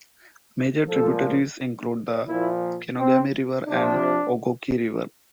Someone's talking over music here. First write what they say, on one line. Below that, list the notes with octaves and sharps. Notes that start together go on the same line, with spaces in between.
Major tributaries include the Kenogami River and Ogoki River.
A#2 F3 A4
A#2 F3 E4
C4
C3 F3 D4